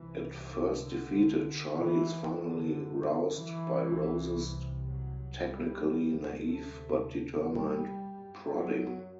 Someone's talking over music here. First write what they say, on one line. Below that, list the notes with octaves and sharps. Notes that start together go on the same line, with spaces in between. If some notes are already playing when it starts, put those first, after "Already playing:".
At first defeated, Charlie is finally roused by Rose's technically naive but determined prodding.
Already playing: C2 C3 E3
D3
F#2 E3
D3
E3
C2 C3
F#3
G3
D2 C3
A3
G3
F#2
F#3